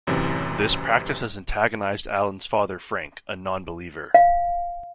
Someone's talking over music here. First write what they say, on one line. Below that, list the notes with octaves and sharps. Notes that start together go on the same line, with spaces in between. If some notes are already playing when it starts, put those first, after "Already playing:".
This practice has antagonized Alan's father Frank, a non-believer.
A1 F#2 C3 E3
F5